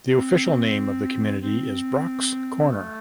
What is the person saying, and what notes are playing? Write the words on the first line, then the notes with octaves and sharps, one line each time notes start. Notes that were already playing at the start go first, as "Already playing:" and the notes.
The official name of the community is Brocks Corner.
C4
C4
A3